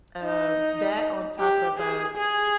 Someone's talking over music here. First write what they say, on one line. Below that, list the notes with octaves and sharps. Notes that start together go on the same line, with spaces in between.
um, that, on top of, uh,
D#4
G4
G#4
G#4